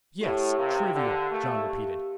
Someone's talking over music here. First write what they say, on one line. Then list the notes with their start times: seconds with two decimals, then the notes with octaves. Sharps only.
"Yes, trivial," John repeated.
0.21 A2 G4
0.58 C3 A#4 F5
0.95 D3 G4
1.31 A3 A#4 F5
1.68 G4